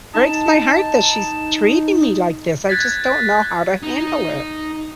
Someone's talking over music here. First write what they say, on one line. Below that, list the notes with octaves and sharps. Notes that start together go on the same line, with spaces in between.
breaks my heart that she's treating me like this, I just don't know how to handle it.
D#4 A5
F#6 G#6 A6 B6
D#4